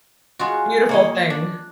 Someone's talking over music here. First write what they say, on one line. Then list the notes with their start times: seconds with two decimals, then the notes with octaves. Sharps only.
beautiful thing.
0.39 G#3 F4 F#4
0.89 A#3 C#5 D#5
1.30 D4